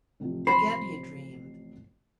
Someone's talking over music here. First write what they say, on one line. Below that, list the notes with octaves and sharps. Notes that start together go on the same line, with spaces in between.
Again he dreamed.
A1 C3 F3
C5 B5 C7